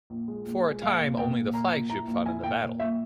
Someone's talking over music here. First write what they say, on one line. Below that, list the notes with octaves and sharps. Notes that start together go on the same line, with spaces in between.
For a time only the flagship fought in the battle.
A#1
G#3
A#1
G#3
A#2 F5
A#1
A#2 G5
A#1
A#2 A#5
A#1
E4 A#5
A#1
E4 G#5
A#2 G5
A#2
A#1 E5